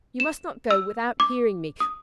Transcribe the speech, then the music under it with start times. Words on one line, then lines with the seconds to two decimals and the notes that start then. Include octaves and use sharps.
You must not go without hearing me.
0.20 E7
0.71 E6
1.20 D6
1.80 D#6